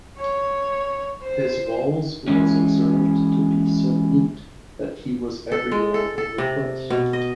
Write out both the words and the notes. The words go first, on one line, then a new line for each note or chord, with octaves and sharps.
His walls was observed to be so neat that he was everywhere in request.
C#5
C5
E3 G#3 C#4
A4
G#3
A4
A4
C3
B2
D#5